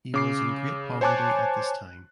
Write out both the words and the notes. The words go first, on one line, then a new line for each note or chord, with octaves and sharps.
He was in great poverty at this time.
C#3 D6 C7
C5 C#5 G#5 A5 D6 F#6